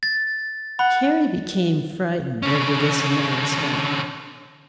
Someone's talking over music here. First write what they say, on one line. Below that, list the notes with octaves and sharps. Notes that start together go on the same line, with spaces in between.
Carrie became frightened over this announcement.
A6
F#5 B5
D3 C#4